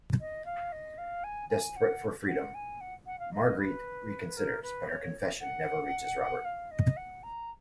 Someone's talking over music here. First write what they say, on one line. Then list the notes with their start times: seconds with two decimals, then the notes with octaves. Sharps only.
Desperate for freedom, Marguerite reconsiders, but her "confession" never reaches Robert.
0.20 D#5
0.45 F5
0.72 D#5
0.98 F5
1.24 G#5
1.49 G#5
1.76 F#5
2.28 F#5
2.54 G#5
2.81 F#5
3.06 F#5
3.19 F5
3.33 D#5
3.58 B4
4.37 A#4
4.63 B4
4.88 C#5
5.41 F#5
6.45 F5
6.71 D#5
6.97 F#5
7.23 A#5